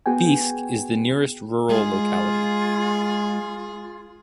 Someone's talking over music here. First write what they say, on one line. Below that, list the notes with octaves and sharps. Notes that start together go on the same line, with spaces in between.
Biysk is the nearest rural locality.
B3 F#4 G#4 G5 G#5
G#3 F4 G#4